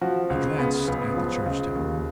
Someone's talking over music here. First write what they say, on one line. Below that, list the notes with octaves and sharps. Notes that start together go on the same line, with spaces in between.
He glanced at the church tower.
F3 F#4
C#2
C#3 B3
C#2 B3
F3
C#2
D#2